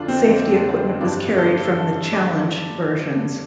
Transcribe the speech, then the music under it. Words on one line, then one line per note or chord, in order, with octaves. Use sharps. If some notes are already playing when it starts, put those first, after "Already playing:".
Safety equipment was carried from the Challenge versions.
Already playing: F2 D3 D4 F4
C4
F2
D3
G2 D4
D3 A4
G2
D3 D5